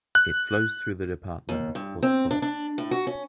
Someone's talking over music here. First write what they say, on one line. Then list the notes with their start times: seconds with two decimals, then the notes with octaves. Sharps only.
It flows through the department of Haute-Corse.
0.15 F#6
1.49 D#2
1.75 G2
2.03 C4
2.31 D4
2.42 D4
2.78 A2
2.91 F#4
3.07 C#4